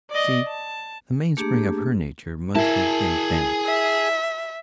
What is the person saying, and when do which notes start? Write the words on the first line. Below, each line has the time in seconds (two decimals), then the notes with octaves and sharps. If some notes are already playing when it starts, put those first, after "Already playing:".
You see, the mainspring of her nature must have been vanity.
0.11 D5 D#5
0.48 A5
1.37 A3 A#3 D4 G4 G#4
2.55 E4 G#4 A#4 A5
3.66 E5